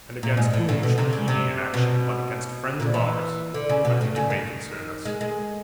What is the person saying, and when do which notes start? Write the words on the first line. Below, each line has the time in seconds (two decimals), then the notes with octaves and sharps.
And against whom should he be in action but against friends of ours I think it may concern us.
0.23 A#2
0.37 G#2
0.53 A2
0.69 A2
0.83 B2
0.98 C3
1.13 C#3
1.28 C3
1.74 B2
2.80 A#2
2.94 E3
3.54 D3
3.70 C#3
3.85 B2
4.01 A2
4.16 C#3
4.30 D#3
5.05 G#3
5.21 G#3